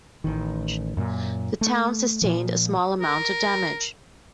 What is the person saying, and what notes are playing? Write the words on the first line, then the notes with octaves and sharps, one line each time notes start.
The town sustained a small amount of damage.
A1 D#3
F#2 A#2
A3
A#2 F3
A#4